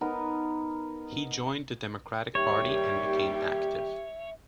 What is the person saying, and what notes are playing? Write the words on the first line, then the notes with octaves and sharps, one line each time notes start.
He joined the Democratic Party and became active.
B3 D#4 A#4
D#2 G3 G4 C#5 E5